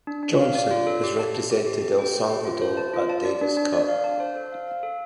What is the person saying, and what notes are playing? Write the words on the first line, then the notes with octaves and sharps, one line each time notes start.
Johnson has represented El Salvador at Davis Cup.
D4
D4
F5
D5
F4
A4
G4
A5
A5
G4
G4
G4
G5
C5
G4
F4
C5
A5
F4
A5
D5
D4
D4
D5
F5
A5
C5
A4
F5
F5
A4